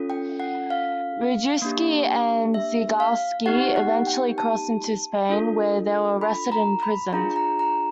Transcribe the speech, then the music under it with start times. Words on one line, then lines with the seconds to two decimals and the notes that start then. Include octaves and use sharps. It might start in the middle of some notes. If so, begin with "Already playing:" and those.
Rejewski and Zygalski eventually crossed into Spain, where they were arrested and imprisoned.
Already playing: C#4 F4 A4
0.10 G5
0.40 F#5
0.70 F5
1.62 A#3 D4 G4
2.54 E5
3.00 F5
3.46 B3 D#4 G4 F#5
3.76 F#5
4.07 G5
4.38 A5
5.29 D4 F4 A4
6.21 B5
6.52 A#5
6.83 B5
7.13 D4 F4 G#4 A#5
7.36 A#5
7.59 A#5